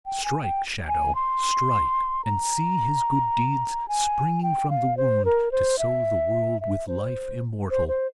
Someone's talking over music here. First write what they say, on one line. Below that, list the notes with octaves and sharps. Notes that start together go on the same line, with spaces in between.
Strike, Shadow, strike! And see his good deeds springing from the wound, to sow the world with life immortal!
G5
G#5
G5
G#5
C6
A#5
G#5
G5
F5
C5
A#4
C5
E5
E5
C5
C5
C5